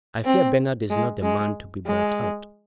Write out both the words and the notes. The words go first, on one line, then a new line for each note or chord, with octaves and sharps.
"I fear Bernard is not the man to be bought out."
C4
G#3
G#3
G#3